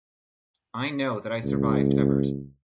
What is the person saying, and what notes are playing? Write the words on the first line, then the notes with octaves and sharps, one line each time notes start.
I know that I survived Evert.
C#2